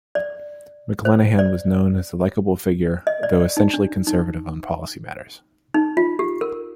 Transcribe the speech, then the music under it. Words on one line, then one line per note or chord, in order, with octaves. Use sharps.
McLenaghen was known as a likeable figure, though essentially conservative on policy matters.
D5
C5
D5
D#5
D5
D5
D#4
D4
D#4
D#4
F4
G4
A#4